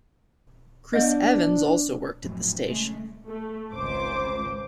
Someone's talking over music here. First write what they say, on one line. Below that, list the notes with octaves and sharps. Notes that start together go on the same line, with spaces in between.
Chris Evans also worked at the station.
B3 D4 D#5
F2 A2 F#3
C#3 G#3 A3
A3
G#1 C#2 C5 D6